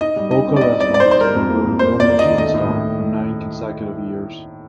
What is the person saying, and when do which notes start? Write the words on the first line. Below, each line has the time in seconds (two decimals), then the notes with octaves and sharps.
Boka Restaurant has been awarded one Michelin star for nine consecutive years.
0.01 D#4 D#5
0.16 G3
0.31 D#4 D#5
0.46 C4
0.56 D5
0.61 G3 D#5
0.76 G3 D5
0.90 G3 D5
1.00 C5
1.05 D#4
1.11 C5
1.20 G3 A#4
1.35 F2
1.50 A#3
1.65 F2
1.79 A#3 C5
1.94 F2
2.00 D5
2.09 A#3
2.19 D#5
2.25 D#3
2.38 A3 D#5
2.54 A2
2.68 A2